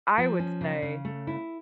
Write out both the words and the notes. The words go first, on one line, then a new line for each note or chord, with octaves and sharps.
I would say
F3
C#4
C#3
C#3
A3
E4